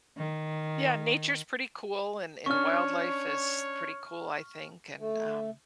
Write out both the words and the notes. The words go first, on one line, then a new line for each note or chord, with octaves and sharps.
yeah, nature's pretty cool and, and wildlife is pretty cool, I think, and, um
D#3
C#4 D4 C#5 C#6 F6
A3